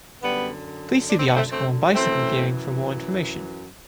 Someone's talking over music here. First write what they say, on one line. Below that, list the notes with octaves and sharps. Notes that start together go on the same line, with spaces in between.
Please see the article on bicycle gearing for more information.
F#2 D3 G3 B3
D4
C4
B3
A3 C4
A3 C4
F#2 E3 A3 C4